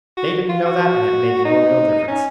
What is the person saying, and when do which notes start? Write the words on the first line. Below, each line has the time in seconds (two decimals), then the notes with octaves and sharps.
But they didn't know that, and it made no real difference.
0.17 F#4
0.49 F4
0.65 F#4
1.45 D#4
2.08 C#4